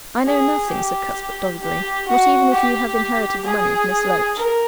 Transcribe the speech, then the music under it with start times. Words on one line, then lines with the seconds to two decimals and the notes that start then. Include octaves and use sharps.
"I know nothing," said Cuthbert doggedly, "not even if you have inherited the money of Miss Loach."
0.24 G#4
0.70 G4
1.62 G4
2.07 F#4
2.54 G4
3.45 G#4
4.37 A#4